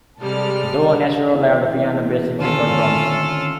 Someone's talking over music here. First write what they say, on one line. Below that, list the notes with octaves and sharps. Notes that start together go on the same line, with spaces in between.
Though a natural at the piano, Basie preferred drums.
C3 G3 G#3 A4 D5 F6
E2
D3 D#3 C4 C#4 F4 A4